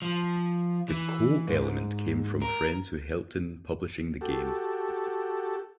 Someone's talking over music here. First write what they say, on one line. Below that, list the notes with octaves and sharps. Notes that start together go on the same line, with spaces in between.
The "Co" element came from friends who helped in publishing the game.
F3
E3
G#2
A#4
F#4 G4 A4